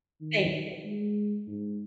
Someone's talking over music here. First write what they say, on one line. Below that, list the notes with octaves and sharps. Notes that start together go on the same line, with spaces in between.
Thank you.
D#3
G#3
G#2